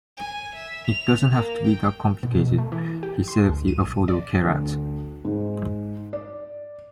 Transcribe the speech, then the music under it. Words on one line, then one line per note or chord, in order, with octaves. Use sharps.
It doesn't have to be that complicated, he said of the Affordable Care Act.
G#5
E5
F7
A#3
G5
B2
B2
A3
E3
G4
C6
D2
D#7
B1
D5
D2
G#2
D5